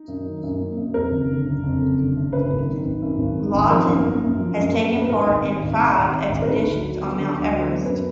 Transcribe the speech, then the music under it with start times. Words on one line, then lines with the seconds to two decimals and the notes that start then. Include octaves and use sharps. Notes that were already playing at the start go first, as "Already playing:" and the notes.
Laughton has taken part in five expeditions on Mount Everest.
Already playing: D#4
0.08 F#2
0.26 D#3
0.43 F#2
0.59 A#3
0.77 F#2
0.94 F2 A#4
1.11 F#1
1.29 D3
1.46 F#1
1.63 F2
1.81 F#1
1.98 D3
2.15 F#1
2.33 F#2 B4
2.50 G#1
2.67 D#3
2.85 G#1
3.02 F#2
3.18 G#1
3.37 D#3
3.54 G#1
3.70 F3 A#4
3.88 F#2
4.05 A#3
4.23 F#2
4.40 F3
4.57 F#2
4.74 A#3
4.91 F#2
5.01 B4
5.09 G#2 A#4
5.26 G#1
5.43 D#3
5.61 G#1
5.78 G#2
5.96 G#1
6.12 D#3
6.29 G#1
6.42 A#4
6.47 D3 B4
6.64 D2
6.82 F#3
6.99 B3
7.15 D3
7.34 D2
7.50 F#3
7.68 B3
7.85 F#2 B4